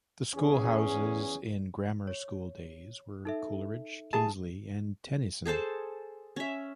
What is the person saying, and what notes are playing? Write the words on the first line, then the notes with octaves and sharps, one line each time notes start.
The School Houses in grammar school days were Coleridge, Kingsley and Tennyson.
E2 C#4 G#4
C#5
D#4 A4 E5
G#4 A5
G#4 A4 C5 A5
C#4 E5